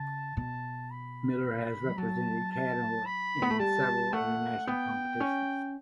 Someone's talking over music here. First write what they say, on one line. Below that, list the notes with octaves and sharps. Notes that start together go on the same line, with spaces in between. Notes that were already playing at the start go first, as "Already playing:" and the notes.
Miller has represented Canada in several international competitions.
Already playing: C#3 A5
B2 A5
B5
G3
F#3 A5
A5
B5
B3
A3
G3 A5
A3 F#5
B3 G5
C#4